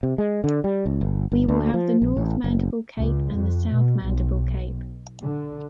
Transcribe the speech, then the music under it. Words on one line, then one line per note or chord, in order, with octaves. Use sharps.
We will have the North-Mandible cape and the South-Mandible cape.
C3
G#3
D3
G3
C#2
G1
G1
D2
F3
A#1
A1
F#1
C#2
F2
B2
B1
D3